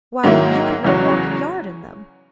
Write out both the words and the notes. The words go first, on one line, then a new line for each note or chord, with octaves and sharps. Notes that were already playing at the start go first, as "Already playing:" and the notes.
'Why, you could not walk a yard in them!'
G#2 D#3 F#3 A#3 E4
E2 C#3 F#3 C#4 F#4